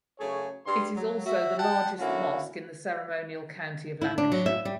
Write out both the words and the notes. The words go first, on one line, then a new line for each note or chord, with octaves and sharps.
It is also the largest mosque in the ceremonial county of Lancashire.
F#2 C#3 A3 G#4 C#5
G2 C6
F#3
F#4 E5
G4 D5 F#5 G5 A5
A2 D3 A#3 C#4 E4 F#4
E4
D4
F#3
E5
G3